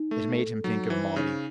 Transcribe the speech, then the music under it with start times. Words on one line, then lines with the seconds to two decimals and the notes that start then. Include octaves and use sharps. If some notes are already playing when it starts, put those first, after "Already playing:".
It made him think of Maudie.
Already playing: D#4
0.11 A3 A4
0.38 A4
0.64 F#3 D#4
0.90 E3 C5
1.16 C#3 D#4